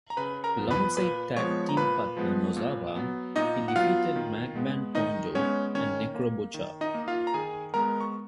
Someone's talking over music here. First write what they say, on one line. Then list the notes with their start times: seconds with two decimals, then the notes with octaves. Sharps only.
Alongside tag team partner Nosawa, he defeated Mad Man Pondo and Necro Butcher.
0.10 A#5
0.17 C#3 B4 B5
0.44 A#4 A#5
0.57 F3 B3
0.71 B4 B5
0.97 A#2 B4 B5
1.36 F3 G#3 B3 C#5 C#6
1.69 A#5
1.77 A#2 B4 B5
2.17 F3 G#3 B3
2.57 A#2
2.96 F#3 B3
3.36 A#2 D#4 D#5
3.68 F#5
3.76 F#3 B3 F4 F5
4.16 D#3
4.55 G#3 B3
4.95 D#3 D#4 D#5
5.35 G#3 B3 C#4 C#5
5.75 D#3 C#4 C#5
6.15 A#3
6.54 D#3
6.81 D#4 D#5
6.94 A#3
7.08 F4 F5
7.27 A#5
7.34 D#3 G#4 G#5
7.74 G#3 B3 A#4 A#5
8.01 C#6